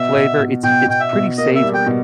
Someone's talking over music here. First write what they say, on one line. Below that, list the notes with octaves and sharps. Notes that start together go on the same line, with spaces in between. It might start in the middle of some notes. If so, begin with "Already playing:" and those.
flavor. It’s it’s pretty savory,
Already playing: B2 E5
B2
B2
B2 G5
B2 G5
E5
B2
A#3 D#5
E5
G3
G5
B2